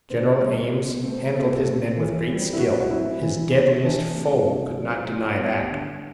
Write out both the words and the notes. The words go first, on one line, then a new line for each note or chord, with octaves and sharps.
General Ames handled his men with great skill; his deadliest foe could not deny that.
D3 C5
C5
G3 B3 A4
G4
B2 F#4
A3 C4
B2 A4
G4
A4
A3 C4
E3
G3 C4
E4
A2 F#4
F#4
F#3 C4 E4
E3
B3
E3 D4
A3 C4
C3
F#3 C4
A2
G3 B3
D3